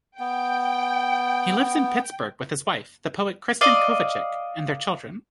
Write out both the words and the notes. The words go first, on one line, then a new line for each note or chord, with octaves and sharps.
He lives in Pittsburgh with his wife, the poet Kristin Kovacic, and their children.
B3 G5
D5 D#5 F5